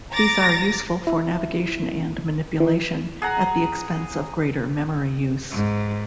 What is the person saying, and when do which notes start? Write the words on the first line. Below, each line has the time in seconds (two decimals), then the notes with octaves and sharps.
These are useful for navigation and manipulation, at the expense of greater memory use.
0.12 A#5 D6 A6 A#6
1.07 E4
2.60 E3
3.22 G#4 F#5 A#5
5.51 G#2